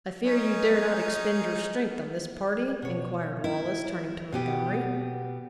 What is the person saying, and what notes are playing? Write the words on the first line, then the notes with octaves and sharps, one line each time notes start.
"I fear you dare not expend your strength on this party?" inquired Wallace, turning to Montgomery.
C#4 D#4
B2 C#5
E4
B2 B3 G4